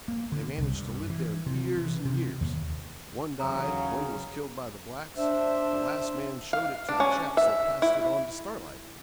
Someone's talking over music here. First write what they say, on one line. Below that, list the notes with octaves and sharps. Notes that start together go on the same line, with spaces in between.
They managed to live there years and years; one died, one was killed by the blacks; the last man showed it to the chaps that passed it on to Starlight.
A#3
D3
C2
G2
E3
C3
E3
C3
D#2
D#2 C#3 E3 F#3 A#5 D#6
D4 C5 E5
F5
D4
C#4
E5
E4